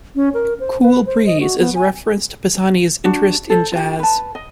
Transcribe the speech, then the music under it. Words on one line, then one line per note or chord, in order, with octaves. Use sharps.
"Cool Breeze" is a reference to Pisani's interest in Jazz.
C#4
A#4
C5
B4
C5
D#5
F#4
B3
G#5
D4 F#4
A4 C5
F4 G4
B4 A5
D#5